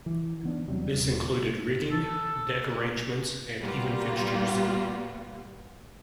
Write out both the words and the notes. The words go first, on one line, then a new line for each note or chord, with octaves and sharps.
This included rigging, deck arrangements, and even fixtures.
E3
D#3 B3 D4
E2 C3 F#3 G3
D#1
A4
A#2 G3 A#3 B3 F4 F#4